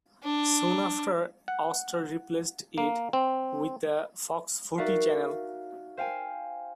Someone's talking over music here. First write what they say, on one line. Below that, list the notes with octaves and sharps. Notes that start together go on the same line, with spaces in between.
Soon after Austar replaced it with the Fox Footy Channel.
D4
F#5
A#3
C4
D#4 F#4 A#4 D5 E5 F5
C5 F5 G5 G#5